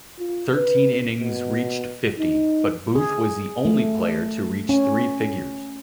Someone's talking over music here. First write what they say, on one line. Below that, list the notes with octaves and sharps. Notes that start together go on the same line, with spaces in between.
Thirteen innings reached fifty, but Booth was the only player to reach three figures.
F4
B4
B2
D#4
G#4
A3
C#4